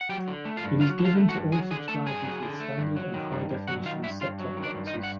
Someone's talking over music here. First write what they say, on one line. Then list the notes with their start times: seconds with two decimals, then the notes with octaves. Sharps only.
It is given to all subscribers with standard and high definition set-top boxes.
0.01 F#5
0.09 F#3 G4 G5
0.27 D3
0.45 A3
0.57 F4 F5
0.63 G2
0.81 F#3 F4 F5
0.99 D3
1.05 F4 F5
1.17 A3
1.29 F#4 F#5
1.35 G2
1.52 F#3 G#4 G#5
1.71 D3 G#4 G#5
1.88 A3 A4 A5
2.07 G2 G#4 G#5
2.24 F#3
2.42 D3
2.60 A3
2.78 G2
2.96 F#3
3.14 D#3
3.32 G2
3.50 G2
3.68 F#3 F#4 F#5
3.85 D#3 F4 F5
4.03 G2 E4 E5
4.21 G2 F4 F5
4.40 F#3
4.57 D#3
4.63 D4 D5
4.75 G2
4.87 D#4 D#5
4.93 G2
5.03 F#5